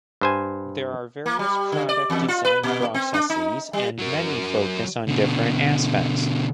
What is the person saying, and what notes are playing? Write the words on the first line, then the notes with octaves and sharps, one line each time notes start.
There are various product design processes and many focus on different aspects.
G2 C5 G#5
A#3
G3
D3
D5
E2
F4
B4
A#2
C4
D4
D#4
G3
F#3 A#4
B2 D3